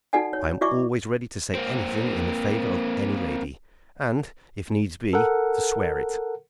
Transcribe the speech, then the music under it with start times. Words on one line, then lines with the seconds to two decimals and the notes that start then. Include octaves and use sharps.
I am always ready to say anything in the favor of any lady, and, if needs be, to swear it.
0.13 D#4 F#4 A4 D5 F#5 G#5
0.33 C#5
0.61 E4 F#4 D5 E5 C#6 D6
1.55 A#3 C4
5.13 A4 A#4 F#5